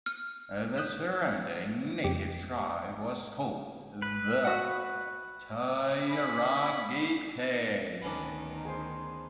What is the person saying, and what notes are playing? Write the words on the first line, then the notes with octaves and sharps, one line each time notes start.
The surrounding native tribe was called the Tyragetae.
F6
D#6 F#6 G6 B6 E7
F2 C#3 G4
B4
F#4 F#5
C#4 B5
D2 D#3 B3 C#4 D4
G#4 C5